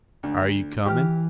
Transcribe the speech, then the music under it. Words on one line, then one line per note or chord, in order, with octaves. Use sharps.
"Are you coming?"
D2
E3 G4 F6